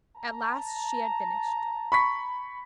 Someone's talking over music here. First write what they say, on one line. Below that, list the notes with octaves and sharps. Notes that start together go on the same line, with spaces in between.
At last she had finished.
A5 A#5
B5 C#6 B6